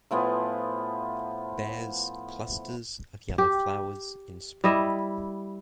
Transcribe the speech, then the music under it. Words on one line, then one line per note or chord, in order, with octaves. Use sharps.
Bears clusters of yellow flowers in spring.
A2 F3 B3 G#5
G4
G3 E4 D#5 E5